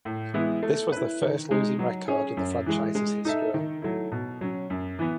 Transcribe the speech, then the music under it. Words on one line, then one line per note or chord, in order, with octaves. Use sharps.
This was the first losing record in the franchise's history.
A2
E3 G#3 B3 E4
A3
E4 B4
D#3
G#3 D#4
F#3
C#4 G#4 C#5
F#2
E3 G#3
G#3
D#4 A4 E5
D#3
F#3 A3 E4
B2
F#3 C#4
F#2
E3 B3